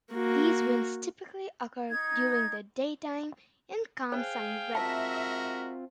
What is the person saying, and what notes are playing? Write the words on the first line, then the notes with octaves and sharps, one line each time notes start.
These winds typically occur during the daytime in calm sunny weather.
A#3 F#4
D#4 G#6
G#4 C5 F5 G5
G#3 C4 F4 F#4 A#4 E5 A5